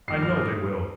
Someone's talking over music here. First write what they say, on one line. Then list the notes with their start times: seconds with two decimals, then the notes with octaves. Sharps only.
I know they will!'
0.08 G2 F3 A#3 D4 C7
0.22 F6
0.36 D#6